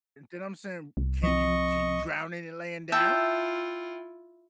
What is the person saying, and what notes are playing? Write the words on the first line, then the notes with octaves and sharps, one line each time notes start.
then I'm saying, "Can you can you drown in it laying down?!"
C2
F3 C4 D#5 C#6
E4 F4 E5 G5 A5